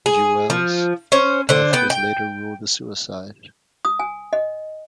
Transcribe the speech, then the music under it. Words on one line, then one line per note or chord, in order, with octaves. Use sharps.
Deuel's death was later ruled a suicide.
G#4
F3
C#4 C5
D3 C5
B3 G5
G5
D#6
G#5
D#5